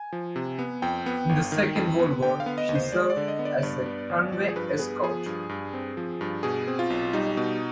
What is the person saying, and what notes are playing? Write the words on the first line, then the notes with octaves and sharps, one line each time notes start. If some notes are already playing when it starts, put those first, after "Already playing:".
In the Second World War she served as a convoy escort.
Already playing: G#5
F3
C3
B3
F2 G5
B3
G1
D#3
F2
B3
D3 G5
F5
B3
D#5
D#2
C5
G#3 D5
D5
D3
D#5
B3
D5
G2
B3
G#1
F3 D5
G#4
G2 B4
B3 G#4
F3 G#4
G2
G2
C4
F3
G2
B2 G#4
C4
F4
B1
G3 D#4
B2